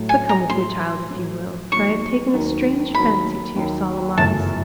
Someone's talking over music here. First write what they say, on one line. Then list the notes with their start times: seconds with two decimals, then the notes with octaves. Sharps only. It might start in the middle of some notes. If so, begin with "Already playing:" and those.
But come with me, child, if you will, for I have taken a strange fancy to your solemn eyes.
Already playing: A2 F#3 A3
0.09 G#5
0.29 A#5
0.49 A2 F#3 A3 C6
1.10 A2 F#3 A3
1.72 D#2 D#3 F#3 A#3 C#6
2.33 D#2 D#3 F#3 A#3
2.94 D#2 D#3 F#3 A#3 B5
3.56 D#2 D#3 F#3 A#3
4.17 G1 F#2 C#3 E3 A3 A5